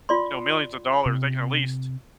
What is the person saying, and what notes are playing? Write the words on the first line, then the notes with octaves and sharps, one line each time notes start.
you know, millions of dollars, they can at least
F4 D5 C6
C3